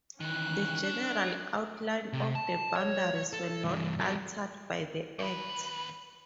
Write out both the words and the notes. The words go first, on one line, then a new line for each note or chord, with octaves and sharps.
The general outline of the boundaries were not altered by the Act.
D#3 E3 C#4 F#6
D4
C3
A5
C#5
A4
G2 E3
F#3 A4
D#2 B4